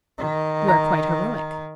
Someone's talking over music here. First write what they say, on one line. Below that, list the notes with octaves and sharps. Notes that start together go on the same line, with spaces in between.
"You are quite heroic."
D#3
A#5